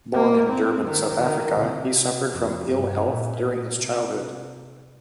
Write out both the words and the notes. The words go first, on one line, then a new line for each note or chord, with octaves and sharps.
Born in Durban, South Africa, he suffered from ill-health during his childhood.
A#3
C4
D#3
D#3
C3
F2
G2
A#2
C3